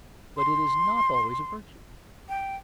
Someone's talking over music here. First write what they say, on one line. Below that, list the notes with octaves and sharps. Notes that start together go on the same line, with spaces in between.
But it is not always a virtue.
C6
G5